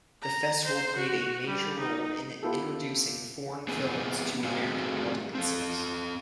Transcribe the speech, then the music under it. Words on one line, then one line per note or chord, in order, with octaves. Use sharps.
The festival played a major role in introducing foreign films to American audiences.
A#5
C5
F#4
G3
D#4
B3 E4 F4 G4 A4
B3 C4 G#4 B4
A3 C4 F#4 G#4 C5 F5
C4 A4